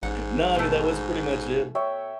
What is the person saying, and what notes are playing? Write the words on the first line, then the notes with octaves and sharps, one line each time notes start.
no, I mean, that was pretty much it.
A1 G#2 F#5
B2 A3
C#5 E5 G5